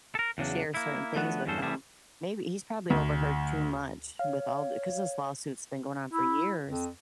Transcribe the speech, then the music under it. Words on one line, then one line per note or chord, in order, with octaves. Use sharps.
share certain things with him. Maybe he's probably overheard too much with all the ‘cause this lawsuit's been going on for years.
A4 A#4
E2 C#3 F#3 D4
A#3 E4
F3 A3 B3 D4 F#4
E2 G2 F#3 C#4 A4 C5
E3 G3 A3 G#4 E5
D2
C#5 F5
E4
F2